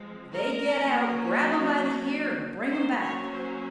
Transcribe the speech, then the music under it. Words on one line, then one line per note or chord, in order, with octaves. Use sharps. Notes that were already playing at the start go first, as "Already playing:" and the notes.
"If they get out, grab them by the ear, and bring them back."
Already playing: F3 G#3 C4
A#4
F#3 A#3 C#4
F#3 A#3 C#4 C5
C#5
C5